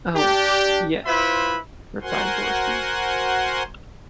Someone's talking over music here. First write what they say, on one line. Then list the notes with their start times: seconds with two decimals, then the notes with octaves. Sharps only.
"Oh, yes;" replied Dorothy.
0.16 D4 G4
1.06 E4 F4 B4 C5 E5 B5
2.02 F#4 A#4 C5 F#5 G#5 C6